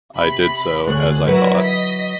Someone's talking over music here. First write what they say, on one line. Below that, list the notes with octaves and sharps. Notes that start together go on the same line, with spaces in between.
I did so, as I thought.
C3 B5
D2 G#4 C#5 F#6
F#3 E4 F#4 A#4 B4
D#5 B6